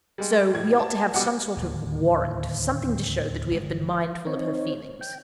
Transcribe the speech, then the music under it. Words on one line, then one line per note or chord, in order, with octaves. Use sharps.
So we ought to have some sort of warrant, something to show that we have been mindful of her feelings.
G3 G#3
A2 G#6
A5
B2 G3 F#5 D6
D1 D#2
G1 C#3 G#3
C4 D#4 C#5
G5